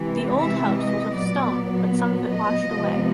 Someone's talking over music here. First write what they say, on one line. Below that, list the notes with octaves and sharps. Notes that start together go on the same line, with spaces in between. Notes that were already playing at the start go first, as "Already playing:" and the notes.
The old house was of stone, but some of it washed away.
Already playing: C3 E3 G#3
E5
D#5
A#2 F#3 B3 D5
D#5
C3 F3 G#3 B3